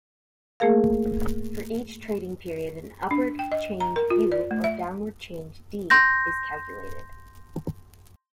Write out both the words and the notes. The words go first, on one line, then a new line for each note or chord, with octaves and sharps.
For each trading period an upward change "U" or downward change "D" is calculated.
A3 A#3 G#4 A#4 F5
D4
G5
D#5
A#5
A#4
F4
D5
A3
E5
C6 G6 A#6